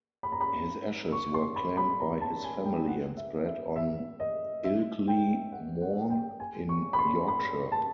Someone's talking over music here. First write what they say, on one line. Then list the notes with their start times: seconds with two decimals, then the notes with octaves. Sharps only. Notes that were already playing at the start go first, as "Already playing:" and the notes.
His ashes were claimed by his family and spread on Ilkley Moor in Yorkshire.
0.23 B5
0.32 A#5
0.41 B5
1.12 C#6
1.34 C6
1.56 B5
1.77 B5
2.00 A#5
2.21 A5
2.44 G#5
2.65 G5
2.88 F#5
3.17 E5
3.47 E5
3.76 E5
4.20 D#5
4.64 E5
5.08 G5
5.52 F#5
5.81 F#5
6.10 G5
6.40 G#5
6.69 C#6
6.93 B5
6.99 C6
7.28 B5
7.72 A5